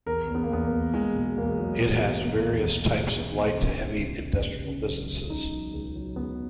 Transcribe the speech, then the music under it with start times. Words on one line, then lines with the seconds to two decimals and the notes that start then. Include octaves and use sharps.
It has various types of light to heavy industrial businesses.
0.06 E2 A#4
0.27 E2
0.35 B3
0.43 A#3
0.50 E2 B3
0.64 A#3
0.71 E2
0.93 E2 G#3
1.16 B2
1.36 E2 A#3
1.58 F#3
1.80 E2 B3
2.02 B2
2.24 B2
2.46 E2
2.67 B2
2.90 E2
3.12 B2
3.34 B2
3.55 C#3
3.77 C#2
3.98 C#3
4.20 C#2
4.42 C#2
4.64 C#3
4.85 F#3
5.07 C#2
5.30 C#2 D#4
5.51 F#3
5.73 C#2
5.95 F#3
6.16 C#2 B3